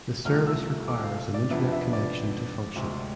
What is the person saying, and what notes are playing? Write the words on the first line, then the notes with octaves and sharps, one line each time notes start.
The service requires an Internet connection to function.
C2 C3 F3 A3 F6
E6
E6
D6
F5
D5
F2 C3 F3 B3 D4 E5
E5
D5
D2 C3 G#3 C4